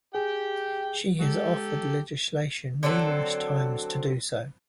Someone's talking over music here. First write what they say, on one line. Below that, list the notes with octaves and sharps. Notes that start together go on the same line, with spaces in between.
She has offered legislation numerous times to do so.
G4 G#4 G5
G#3 G4 A4
D3 F#3 C4 A4